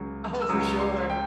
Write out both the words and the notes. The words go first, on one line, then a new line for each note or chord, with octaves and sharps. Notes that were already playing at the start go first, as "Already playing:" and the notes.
Oh, for sure.
Already playing: C#2 C#3 F#3
E6
C#2 C#3 F#3 D#6
C6
G5